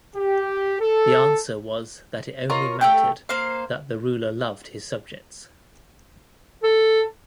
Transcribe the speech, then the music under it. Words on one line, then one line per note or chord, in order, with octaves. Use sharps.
The answer was that it only mattered that the ruler loved his subjects.
G4
A4
F4 A#4 C#5 D#5
A3 G4 G5
A#3 C5 F5
A4